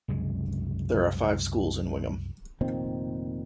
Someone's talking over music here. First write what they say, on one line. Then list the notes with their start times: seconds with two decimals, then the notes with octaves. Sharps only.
There are five schools in Wingham.
0.08 C2 F#2 C#3 G#3
2.61 F1 A#2 D#3 C4